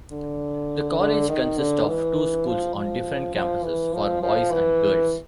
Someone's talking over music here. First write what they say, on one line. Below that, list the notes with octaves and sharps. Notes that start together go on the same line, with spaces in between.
The college consists of two schools on different campuses for boys and girls.
D3
D3
D#3
D3
E3
F3
F3
F3
E3
F3
F3
E3